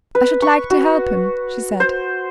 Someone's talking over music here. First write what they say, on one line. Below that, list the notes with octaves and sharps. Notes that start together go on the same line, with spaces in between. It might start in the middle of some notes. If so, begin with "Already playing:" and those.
'I should like to help him,' she said.
B4
C#6
F#4
C5